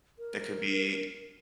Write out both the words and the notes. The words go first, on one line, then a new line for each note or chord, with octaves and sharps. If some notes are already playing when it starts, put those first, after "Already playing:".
It could be
A#4